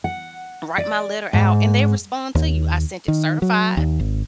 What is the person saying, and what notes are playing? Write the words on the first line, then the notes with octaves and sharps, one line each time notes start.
write my letter out, and they respond to you. I sent it certified
F#5
D5
G#2
D#2
D#3
F#3
D#2
G#1